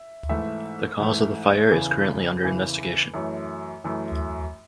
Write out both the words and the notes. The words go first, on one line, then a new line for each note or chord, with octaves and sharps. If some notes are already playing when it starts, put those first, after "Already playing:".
The cause of the fire is currently under investigation.
Already playing: E5
G#2 E3 A3 E5
G#2 E3 A3
E2 C#3 E3 G#5
E2 C#3 E3
F#2 E3 A3 C#5
F#2 E3 A3